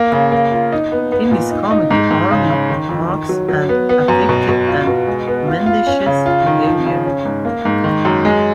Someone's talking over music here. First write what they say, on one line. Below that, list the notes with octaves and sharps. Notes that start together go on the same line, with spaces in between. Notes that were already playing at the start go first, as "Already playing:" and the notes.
In this comedy Aanrud mocks at affected and mendacious behaviour.
Already playing: A#3
C#3
A#3
F4
D#4
B3
B3
A#2
D#4
D#4
G#2
G#2
C#3
C#3
D#3
F2
D#3
F#3
F#3
B3
B3
F#2
B2
B2
F4
B2
G#3
B3
F4
F4
C#4
C#3
F4
D#3
F3
C#3
C#4
G#2
A#3
G#2
D#3
F#2
G#3